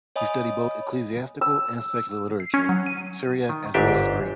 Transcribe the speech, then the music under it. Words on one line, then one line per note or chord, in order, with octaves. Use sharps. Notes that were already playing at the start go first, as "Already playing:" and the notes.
He studied both ecclesiastical and secular literature, Syriac as well as Greek.
C#5 D#5 G#5 B5 D#6
E6
C7
C#4
F#3
D#7
D#3
G1 G#2 D4 G4 E5 G5